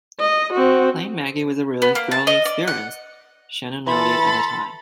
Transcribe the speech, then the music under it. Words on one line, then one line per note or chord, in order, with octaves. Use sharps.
"Playing Maggie was a really thrilling experience," Shannon noted at the time.
D#5
C4 F#4
B3
A#3
A5
D#5
D5
F#5
E3 A4 B5 C6 A6